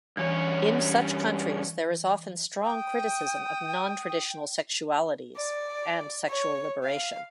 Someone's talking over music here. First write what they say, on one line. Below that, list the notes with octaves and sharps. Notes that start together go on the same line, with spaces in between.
In such countries there is often strong criticism of non-traditional sexualities and sexual liberation.
G2 E3 C#4 C#5
G5 D#6
D5
C#5
F5